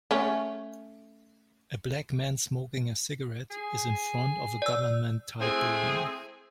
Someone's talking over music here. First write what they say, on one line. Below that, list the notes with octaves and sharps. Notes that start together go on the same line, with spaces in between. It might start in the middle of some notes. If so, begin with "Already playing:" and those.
A black man smoking a cigarette is in front of a government type building.
A3 C#4
G#4
D5 E6
G#3 A3 C4 E4 G#4